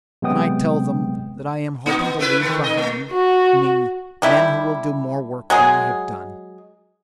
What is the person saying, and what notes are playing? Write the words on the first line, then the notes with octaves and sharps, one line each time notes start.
And I tell them that I am hoping to leave behind me men who will do more work than I have done.
C3 F#3 G#3 B3 G5 D#6
A#2 B3 D#4
B3
A3 E4 B4
D#3 E3 A3
D#4 D#5
A3
F#4
D3 G3 E4
F#3 G#3 G#4